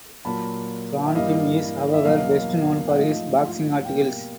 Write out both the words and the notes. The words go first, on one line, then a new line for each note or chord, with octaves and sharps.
Frauenheim is, however, best known for his boxing articles.
A#2 F#3 A#3 A5 B5
E5
G2 E3 G3 A#3 D#5 F5
E5
E2 B2 F#3 A#3 D#5 F5
F#5
G#2 F3 A3 D#5 F5
B2 G3 A#3 F5 G5